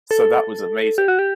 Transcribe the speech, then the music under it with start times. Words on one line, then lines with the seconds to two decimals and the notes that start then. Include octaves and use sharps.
So that was amazing.
0.11 A4
0.98 G4
1.08 F#4
1.19 G4